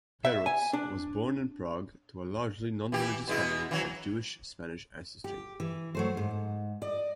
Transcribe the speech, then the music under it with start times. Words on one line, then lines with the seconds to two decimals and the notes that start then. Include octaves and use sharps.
Perutz was born in Prague to a largely non-religious family of Jewish-Spanish ancestry.
0.25 E5
0.46 G#5
0.73 D4
2.92 E3 G4
3.28 B2 G#3 E4
3.71 E3 F#3
5.24 G4
5.60 E3
5.95 F#3 A3 C5
6.17 G#2
6.82 D5 D#5